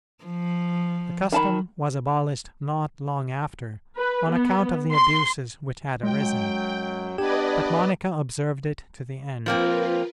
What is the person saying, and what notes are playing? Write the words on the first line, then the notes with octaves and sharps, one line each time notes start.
The custom was abolished not long after on account of the abuses which had arisen, but Monica observed it to the end.
F3
D#3 A5 B5
B4
B3
C6
F#2 F#3 G#3 G5
B3 D4 G4 B4 D5 D#5 G#6
F3 A#3 C4 F4 A#4 B4